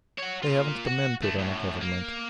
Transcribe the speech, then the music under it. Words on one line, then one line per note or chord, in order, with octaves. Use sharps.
They haven't the men to run a government.
C#5 F#5
A#3 F4
F#4
D3 A3
F#2 A2
A#3